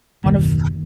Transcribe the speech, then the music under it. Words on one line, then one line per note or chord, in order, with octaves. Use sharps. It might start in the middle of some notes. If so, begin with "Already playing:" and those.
One of
F#1 D#2 B2 D#3